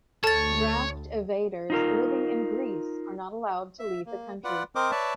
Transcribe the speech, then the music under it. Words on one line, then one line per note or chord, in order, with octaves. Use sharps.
Draft evaders living in Greece are not allowed to leave the country.
D2 A4 C#5 A5 A6
D#4 F4 A#4
E5
A#3
F4 B4 D5 F#5
C4 A#4 C5 D#5 D6
B4 C#5 D5 E5 A5